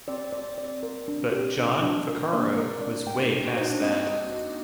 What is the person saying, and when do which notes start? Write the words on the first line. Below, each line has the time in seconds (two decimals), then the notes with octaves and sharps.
But John Vaccaro was way past that.
0.08 C4 D5
0.32 D5
0.58 D5
0.83 A#4
1.08 D4
1.32 G4
1.57 D4
1.82 D4
2.07 A#4
2.32 A#3 D4 D5
2.57 A#4
2.82 D5
3.07 G5
3.32 G5
3.47 F#4
3.56 D#4 C5
3.70 D4
3.81 C4 D#5
4.07 D#5
4.32 D#5